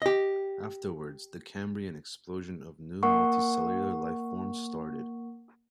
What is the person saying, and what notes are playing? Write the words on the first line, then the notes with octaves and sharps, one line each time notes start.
Afterwards, the Cambrian explosion of new multicellular life forms started.
G4 D#5
A#3 A#4 F#5 C#6